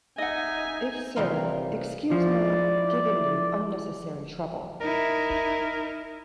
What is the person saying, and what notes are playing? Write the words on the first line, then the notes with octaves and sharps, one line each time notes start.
If so, excuse my giving you unnecessary trouble.
D#4 D#5 E5 F#5 G#5
C3 E3 G3 A#3 D#4 F4
F3 E4 D5
D#4 E4 A#4